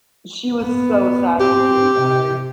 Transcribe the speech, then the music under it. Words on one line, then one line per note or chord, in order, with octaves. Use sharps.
She was so sad when Kitty died.
B3
C4 G4
C3